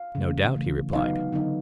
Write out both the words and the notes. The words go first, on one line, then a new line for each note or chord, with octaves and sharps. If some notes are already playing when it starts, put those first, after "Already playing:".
No doubt, he replied.
Already playing: F5
C#3 E3 A3
C#3 E3 A3
D3 F#3 B3 D#4 F5
D3 F#3 B3 D#4